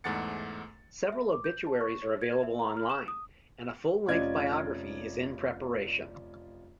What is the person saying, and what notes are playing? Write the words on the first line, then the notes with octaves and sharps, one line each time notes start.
Several obituaries are available online, and a full-length biography is in preparation.
E2 G#2 A3 F#5 A6 C#7
E5
D6
G6
A5
C#6
C#5
G#6
E5
A#5
F6
E7
D#6
F1 C#4 F4 D5 D#5 G#6